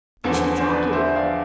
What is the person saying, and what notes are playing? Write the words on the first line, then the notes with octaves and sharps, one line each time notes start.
"They shall drag you in."
E2 D3 F3
C5
B4 D5
C5 E5
D5 F5